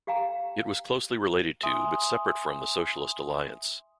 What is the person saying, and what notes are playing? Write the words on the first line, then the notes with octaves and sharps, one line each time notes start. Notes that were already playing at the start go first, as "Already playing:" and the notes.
It was closely related to, but separate from the Socialist Alliance.
G4 F5 G5 A#5
E5 G#5 C6 D#6